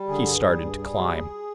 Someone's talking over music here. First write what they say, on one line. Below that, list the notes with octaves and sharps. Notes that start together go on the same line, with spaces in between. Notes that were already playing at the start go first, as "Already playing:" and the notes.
He started to climb.
Already playing: G3
D3 G#4
G2
G3
G2
G3
B2